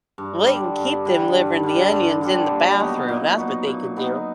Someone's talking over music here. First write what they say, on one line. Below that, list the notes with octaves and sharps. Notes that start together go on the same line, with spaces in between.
Well, they can keep them delivering the onions in the bathroom, that's what they can do,
G2
D3 G3
G2
D3 G3
G2
D3 G3
G2
D3 G3
A#2
F#3 B3 D#4
A#2
F#3 B3 D#4
A#2
F#3 B3 D#4